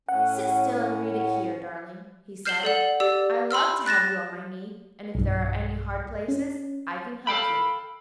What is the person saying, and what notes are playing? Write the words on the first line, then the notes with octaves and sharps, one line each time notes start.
"Sit still and read it here, darling," he said, "I love to have you on my knee, and if there are any hard places I can help you."
A2 C#4 F#5
F6 G6 C7 E7 F#7 G7
A4 D5 F#5
G4 D5 E6
B5 C6 E6 F6
F#6 A6 A#6 E7
B1 G2
C#4
A4 F5 G5 B5